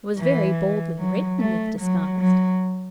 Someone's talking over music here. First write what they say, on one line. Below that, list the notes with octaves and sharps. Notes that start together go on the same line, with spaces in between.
"It was very boldly written, if disguised."
E3
F#3
A3
F#3
F#3